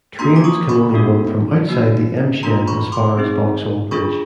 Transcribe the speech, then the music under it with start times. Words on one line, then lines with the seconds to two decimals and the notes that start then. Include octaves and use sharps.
Trains can only run from outside the M Shed as far as Vauxhall Bridge.
0.19 A#3 D4 F#4 A#5 C6
0.36 D6
0.44 C#6 D#6
0.69 B5 C#6
0.94 B3 D4 F#4 A4
1.69 A#3 D#4 F#4
2.43 A#3 D4 F4 A#5 C6
2.67 B5 C#6
2.92 C6 D6
3.17 C4 D#4 G#4
3.91 D4 F4 G#4 B5 C#6